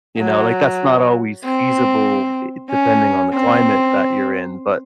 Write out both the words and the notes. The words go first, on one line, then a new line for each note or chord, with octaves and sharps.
you know, like, that's not always feasible, i depending on the climate that you're in, but
F#3
C4
C#4
C4